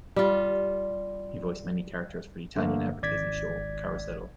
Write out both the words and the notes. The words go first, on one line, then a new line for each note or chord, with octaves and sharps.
He voiced many characters for the Italian advertising show "Carosello".
G3 F4
G2 D3 A3 A#3
G#1 D5 G#6 B6